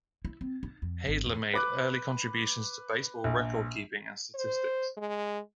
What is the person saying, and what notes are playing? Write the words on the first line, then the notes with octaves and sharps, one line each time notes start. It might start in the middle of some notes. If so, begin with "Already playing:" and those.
Heydler made early contributions to baseball recordkeeping and statistics.
E4
C4
D#4
F2
G#1
E2
B4 D6 F#6
A#1
C5
G#3